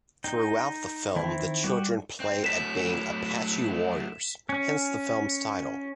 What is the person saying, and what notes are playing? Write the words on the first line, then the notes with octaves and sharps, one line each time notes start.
Throughout the film the children play at being "Apache warriors", hence the film's title.
D#4 G5
D#3 E3 C4 E4
G3 F#4 G4
C4
F#3 A3 E4 B6 E7
C#4